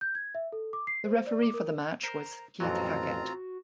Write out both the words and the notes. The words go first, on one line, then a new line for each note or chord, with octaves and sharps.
The referee for the match was Keith Hackett.
G6
G#6
E5
A4
D6
C7
C5
D5
D6
A#4
A#4 C5 A#5
A1 F2 A#2 F#3 C4 F4 F#4 A#5